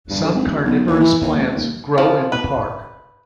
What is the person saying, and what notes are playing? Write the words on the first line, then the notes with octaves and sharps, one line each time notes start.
Some carnivorous plants grow in the park.
G2
D3
G#1
D2
B1
D#2
E3
D#2
C#2
D#2
F3
B4